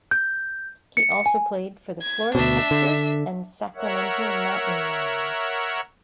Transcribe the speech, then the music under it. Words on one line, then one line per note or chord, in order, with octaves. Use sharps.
He also played for the Florida Tuskers and Sacramento Mountain Lions.
G6
C#7
G#5
G#6
D2 B2 D4 E5
D3
A#4 C#5 E5 F#5